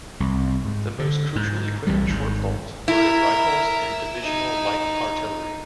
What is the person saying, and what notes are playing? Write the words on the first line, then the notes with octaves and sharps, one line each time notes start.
The most crucial equipment shortfalls were in rifles and divisional light artillery.
C2
G#2
D3
G#2
C2 C3 E3 G3
G#1 G#2
E4 A#4 E5
D#4